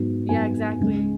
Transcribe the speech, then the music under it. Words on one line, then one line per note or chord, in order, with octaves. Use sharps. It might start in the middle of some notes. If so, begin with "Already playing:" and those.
Yeah, exactly.
Already playing: G#2 F#3 B3
G#2 F#3 B3 G#5
C#2 C#3 G#3